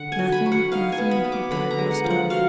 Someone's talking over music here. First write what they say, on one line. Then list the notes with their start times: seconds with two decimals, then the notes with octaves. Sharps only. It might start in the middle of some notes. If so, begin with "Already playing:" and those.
"Nothing, nothing," replied Rostov.
Already playing: D3 F#5
0.12 G#5
0.19 F#3
0.32 B5
0.46 F#3
0.52 F#5
0.72 D#4 F5
0.92 G#5
0.98 B3
1.11 B5
1.24 B3
1.32 D6
1.51 D3 B5
1.71 A#5
1.78 G#3
1.91 F#5
2.04 F3
2.10 F#5
2.30 F#3 F5